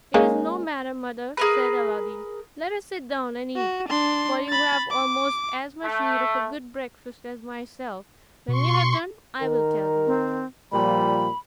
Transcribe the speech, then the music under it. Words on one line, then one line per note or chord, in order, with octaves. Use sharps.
"It is no matter, mother," said Aladdin, "let us sit down and eat; for you have almost as much need of a good breakfast as myself; when we have done, I will tell you."
G#3 A#3 C#4
G#4 A#4 B4
F#4
D4 C6
B5 A6
D6
A3
B2 C6 C#6
D#3 A#4
C4
A#2 F3 G3 B5